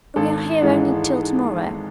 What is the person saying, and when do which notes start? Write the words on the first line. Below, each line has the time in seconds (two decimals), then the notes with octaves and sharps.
We are here only till to-morrow.
0.16 G#1 A4
0.62 G#2 E3 G#3